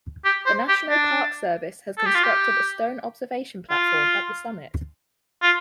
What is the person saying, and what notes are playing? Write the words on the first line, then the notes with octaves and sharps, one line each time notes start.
The National Park Service has constructed a stone observation platform at the summit.
G4
C5
G4
D4
A4
G4
F4
G4
F4
F4